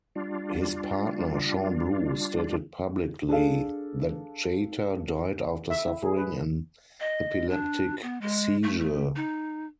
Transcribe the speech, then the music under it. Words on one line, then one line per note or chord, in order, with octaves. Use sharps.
His partner, Sean Blue, stated publicly that Jeter died after suffering an epileptic seizure.
G3 D4 F4
D4 G#4 A4 F5
E5
E4
G#4
B4
D#5
D4
B3
G#3
A3
A3
D#4